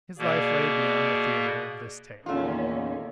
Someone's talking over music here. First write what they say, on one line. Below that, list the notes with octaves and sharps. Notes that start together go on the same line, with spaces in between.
His life lay beyond the theatre of this tale.
B2 A#3 G#4 D5
E2 A#2 D3 D#3 A3 A#3 C#4 F4